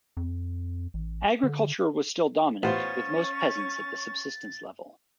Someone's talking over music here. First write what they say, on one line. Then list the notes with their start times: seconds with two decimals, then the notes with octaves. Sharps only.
Agriculture was still dominant, with most peasants at the subsistence level.
0.17 F2
0.94 A1
1.43 D3
2.63 A1 B3 C#4 F4 C5 C#6 A6